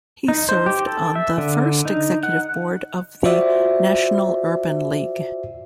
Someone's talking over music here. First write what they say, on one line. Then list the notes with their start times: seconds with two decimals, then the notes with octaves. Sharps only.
He served on the first Executive Board of the National Urban League.
0.28 D#4
0.49 C5
0.66 G4
0.87 A4
1.15 E5
1.38 D3
1.85 D#4
2.23 F#5
3.24 F4 F#4 C5 D5 E5